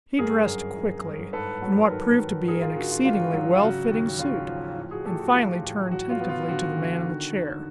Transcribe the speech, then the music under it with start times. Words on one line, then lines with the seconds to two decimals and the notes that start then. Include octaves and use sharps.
He dressed quickly, in what proved to be an exceedingly well-fitting suit; and finally turned tentatively to the man in the chair.
0.18 G1 G#4 A#4
0.47 F#2
0.76 G1
1.04 G1
1.33 G#2 A4 B4
1.62 F#3
1.86 A#4
1.90 D#3 A4 B4
2.19 D#3
2.48 G#1 G#4 A#4
2.62 F4
2.76 D3 F#4
2.91 F4
3.05 G#1 F4
3.34 F#3
3.55 F4
3.62 C#3 F#4
3.90 D#2
4.19 C#3 F4
4.48 F3
4.76 A2
4.91 F#4 G#4
5.05 A3 G4 A4
5.20 F#4
5.34 A1 F4 G4
5.63 A1
5.91 F#3 F#4
6.10 F4
6.20 B3
6.29 F4
6.48 D3 F#4
6.78 D3
7.06 D#3
7.34 D#2